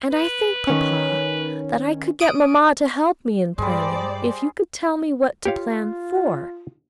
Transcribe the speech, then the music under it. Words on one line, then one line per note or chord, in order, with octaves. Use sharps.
And I think, papa, that I could get mamma to help me in planning, if you could tell me what to plan for.
B4
D#3 C#4
D#6 D7 D#7
G2 G3 G#3 C5 D5
F4 G4 C#5 F5